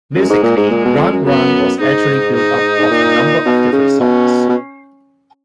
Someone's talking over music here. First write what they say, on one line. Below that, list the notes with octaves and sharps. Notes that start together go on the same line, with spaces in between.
Musically, "Round Round" was actually built up of a number of different songs.
F#2 G#3
G#2
A#2
G#2
A#2
B2
F2
F#2
F#2 B3
G#2 D#4
D#4
G#2
A#2
B2
C#3
B2 C#4
B2